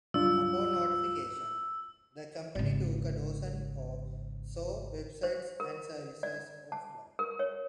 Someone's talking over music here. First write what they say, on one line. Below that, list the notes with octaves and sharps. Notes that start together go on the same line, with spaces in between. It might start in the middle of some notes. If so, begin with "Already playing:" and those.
Upon notification, the company took a dozen or so websites and services offline.
C#2 G2 F#3 D4 F4 E6
G#1 C#3
C5
A#4
D5
A5
A#4
C#5